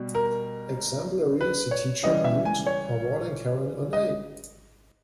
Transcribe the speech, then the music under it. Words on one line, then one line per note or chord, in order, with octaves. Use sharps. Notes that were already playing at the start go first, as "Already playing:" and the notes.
Exemplary, the teacher beamed, awarding Karen an A.
Already playing: B2 G3
A#4
B4
C#5
C#3 E3 G3 D#5
E5
G#5
C#5
D#5